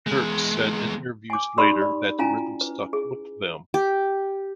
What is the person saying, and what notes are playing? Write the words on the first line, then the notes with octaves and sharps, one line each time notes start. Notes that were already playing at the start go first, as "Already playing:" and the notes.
Peart said in interviews later that the rhythm stuck with them.
E2 G#3
G#5 D6
D#4 G4 D5 B5 C6 E6
D5
C#4 E4 F4 F5 G#5 A#5
B4
G#4
G4